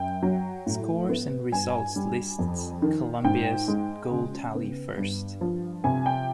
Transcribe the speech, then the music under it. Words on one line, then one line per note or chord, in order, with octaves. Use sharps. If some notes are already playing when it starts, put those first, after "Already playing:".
Scores and results lists Colombia's goal tally first.
Already playing: F#2 G5
F#3
A2
B3
G2 G#5
G3
F2
D#3
G#2 G5
G#3
C#3
B3
G2
F3
C3 G#5
G5